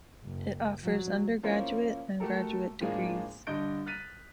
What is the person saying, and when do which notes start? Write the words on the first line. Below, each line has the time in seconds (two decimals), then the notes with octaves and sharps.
It offers undergraduate and graduate degrees.
0.24 F#1
0.84 F#3
1.43 F3 A#3 C#4 E4 C5
2.20 A3 F#4 G4 A4 A#4
2.80 A2 F3 G#3 A#3 D4 G#4
3.47 G2 D3 D#5 G6 D7
3.86 F6 F#6 A6 B6 D#7